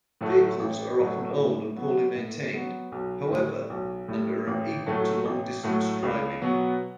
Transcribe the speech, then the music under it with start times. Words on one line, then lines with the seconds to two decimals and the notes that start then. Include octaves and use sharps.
Vehicles are often old and poorly maintained, however, and are unequal to long-distance driving.
0.21 A2 F#3 A3
0.59 A1
0.98 A2 F#3 A3
1.37 A2
1.76 F#3 B3
2.15 A2
2.54 F#3 B3
2.92 B1
3.31 A2 G3
3.70 B1
4.08 A2 G3
4.47 A1
4.86 A2 F#3 A3
5.25 A1
5.63 A2 F#3 A3
6.03 C#2
6.42 B2 F#3 B3